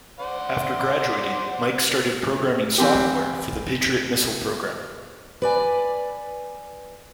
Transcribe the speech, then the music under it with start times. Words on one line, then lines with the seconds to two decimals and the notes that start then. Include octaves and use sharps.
After graduating Mike started programming software for the Patriot Missile program.
0.20 C5 D5 F#5
2.78 E3 C4 G4
5.42 B4 D5 G#5